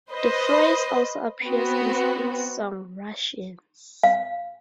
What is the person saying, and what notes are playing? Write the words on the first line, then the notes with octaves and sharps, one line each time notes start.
The phrase also appears in Sting's song "Russians".
B4 C5 D#5
B3 C4 F#4
F5